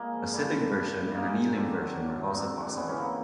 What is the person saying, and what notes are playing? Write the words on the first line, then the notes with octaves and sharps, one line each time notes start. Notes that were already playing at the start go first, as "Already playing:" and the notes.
A sitting version and a kneeling version are also possible.
Already playing: A#2 G#3 A#3
F3
A#2 G3 A3
A#2
G2
G2
G2 G#3 A#3
D#3
F#2 C4 D4
F#3
F#2
F#2
D#4
G#2 C4 D4
E3
D4
E3 B3 C#4
C#4
G#2 A#3 C4